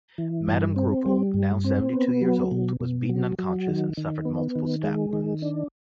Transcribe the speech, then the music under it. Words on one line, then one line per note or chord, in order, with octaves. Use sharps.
Madame Groupil, now seventy-two years old, was beaten unconscious and suffered multiple stab wounds.
E3
G2
C4
G3
G2
C4
B3
F#3
B2
B2
F#3
F#3
D#3
D#3
B3
D#3
G#3
D#3
D4